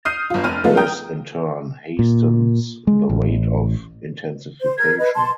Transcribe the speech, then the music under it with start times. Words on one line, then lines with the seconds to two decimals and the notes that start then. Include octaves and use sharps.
This in turn hastens the rate of intensification.
0.05 D#6 F6 G6 C7 D#7
0.30 G1 F4
0.44 F1 F6 D#7
0.64 F3 G#3 A3 B3 D#4 F4
0.77 G5 A#5 D#6 G6
1.99 A#2
2.87 G#3
3.09 A1
4.61 C5
4.78 A#4 G#6
4.99 B4 D#5
5.15 A5 C6